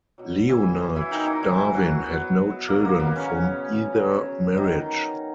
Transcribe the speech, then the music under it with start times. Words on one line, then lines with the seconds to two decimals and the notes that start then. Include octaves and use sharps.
Leonard Darwin had no children from either marriage.
0.18 B2 F#3
0.49 E3 E4
0.96 E3 E4
1.11 D#3 D#4
1.27 E3 E4
1.43 B2 E3 F#3 E4
1.74 F#3 F#4
2.06 B3
2.68 B2 F#3 A#3
2.85 A#3
3.00 B3
3.16 C#3 C#4
3.95 C#3 F#3
4.57 D#3 D#4